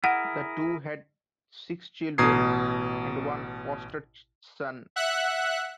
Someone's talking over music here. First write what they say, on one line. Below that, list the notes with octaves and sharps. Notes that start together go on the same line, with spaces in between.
The two had six children and one foster son.
E4 G#4 A#4 F#5
A1 B2 A#5 D#6 G#6 C7
E5 F#5 F#6